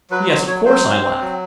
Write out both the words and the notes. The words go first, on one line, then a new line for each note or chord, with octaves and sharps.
"Yes, of course," I laughed.
F#3 B4
F#3 C5
F#3 C#5
F#3 C5
C4
C4
F#3